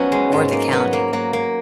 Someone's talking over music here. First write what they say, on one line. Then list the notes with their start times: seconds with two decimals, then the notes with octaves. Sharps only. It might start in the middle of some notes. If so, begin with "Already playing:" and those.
or the county.
Already playing: F3 F#3 B3 C#4 D#4
0.12 G#3
0.32 G#2 G#3
0.53 A#3
0.72 F#3 B3
0.93 A#3
1.13 F#3 A#3
1.33 A#3